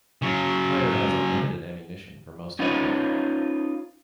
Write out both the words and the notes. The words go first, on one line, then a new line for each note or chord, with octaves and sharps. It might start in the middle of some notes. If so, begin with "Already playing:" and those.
The player has unlimited ammunition for most of the game.
C#3 F#3
C#4 D#4 F4 B4 C#5 D#5